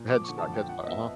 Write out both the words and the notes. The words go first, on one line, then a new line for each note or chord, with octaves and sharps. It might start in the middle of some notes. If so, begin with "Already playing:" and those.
Headstock Headstock, uh-huh.
Already playing: A#2
F3 D6
D3 C#6
A5
F2
G5
F3 F#5
D#5
B3 E5